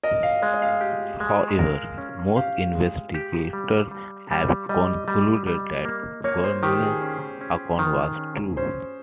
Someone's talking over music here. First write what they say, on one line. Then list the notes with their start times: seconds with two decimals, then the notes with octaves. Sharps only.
However, most investigators have concluded that Gurney's account was true.
0.03 A#4 D#5
0.23 F5
0.42 G#3 D#5
0.54 D#5
0.62 F5
0.81 G4
1.20 G#3
1.59 A#4
1.98 C#4
2.36 G4 F5
2.75 G#3
3.14 G4
3.53 G3
3.91 G3
4.31 G3
4.69 G3 D#5
5.08 G3
5.47 G3
5.85 A#3
6.24 A#3 C#5
6.44 C5
6.63 D#3 G4
6.82 G#4
7.02 C#4
7.41 C#4
7.79 D#3
8.18 C#4
8.57 C#4 C5